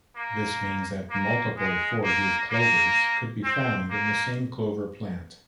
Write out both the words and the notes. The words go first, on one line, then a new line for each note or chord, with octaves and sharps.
This means that multiple four-leaf clovers could be found in the same clover plant.
A#3
A#3
G#3
A#3
A#3
C4
A#3